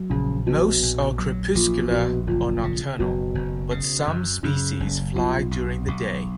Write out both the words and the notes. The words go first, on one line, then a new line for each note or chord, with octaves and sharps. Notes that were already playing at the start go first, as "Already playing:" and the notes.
Most are crepuscular or nocturnal, but some species fly during the day.
Already playing: F#3
A#1 C#3
A#1 B2
A#1
F#3
A#1 A#2
A#1 B2
F#1 A#2
C#3
F#1 B2
F#1
C#3
F#2
F#2 C#3
F#1
B1 F3
B1
B1